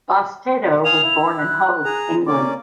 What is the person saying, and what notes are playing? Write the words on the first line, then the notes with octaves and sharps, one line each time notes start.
Bastedo was born in Hove, England.
F5 G#5 D#6 F7
E4
F#6
G#4 A#5
A#3 C#4 D5 D6